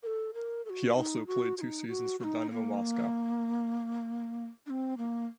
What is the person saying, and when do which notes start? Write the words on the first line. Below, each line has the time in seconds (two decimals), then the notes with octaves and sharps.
He also played two seasons for Dynamo Moscow.
0.03 A#4
0.07 A4
0.34 A#4
0.65 A4
0.70 F#4
0.96 D#4
1.27 F#4
1.57 F#4
1.61 D#4
1.88 F#4
2.20 F#4
2.24 D#4
2.51 A#3
4.66 D4
4.70 C4
4.98 A#3